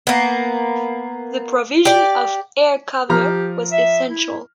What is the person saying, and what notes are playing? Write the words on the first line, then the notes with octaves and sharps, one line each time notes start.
The provision of air cover was essential.
A#3 B3
G4 D5
F3 G4 A#5 F6
E5
E4